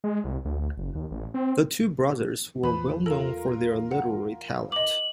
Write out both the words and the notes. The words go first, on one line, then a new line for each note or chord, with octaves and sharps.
The two brothers were well known for their literary talent.
G#3
C2
D2
F#1
D#2
A1
C4
E2 F3 B4 B5
F4 A4 A#4
F#5
D#5 D6 F#7